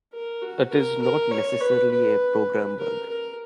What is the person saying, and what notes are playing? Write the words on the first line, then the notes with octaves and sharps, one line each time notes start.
It is not necessarily a program bug.
A#4
F#4
A#4
A#4
C#5
B4
B4
A#4
A#4